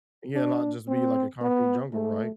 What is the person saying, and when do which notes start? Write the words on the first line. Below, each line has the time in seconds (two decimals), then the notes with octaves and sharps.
yeah, not just be, like, a concrete jungle, right,
0.35 D4
0.88 C4
1.41 B3
1.93 A3